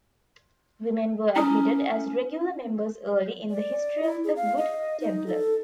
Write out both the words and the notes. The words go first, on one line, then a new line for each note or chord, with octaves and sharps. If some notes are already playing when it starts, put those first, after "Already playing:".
Women were admitted as regular members early in the history of the Good Templar.
C#4 E4 D#6
D5
E4
G#4
F5
D#5
D#4
A4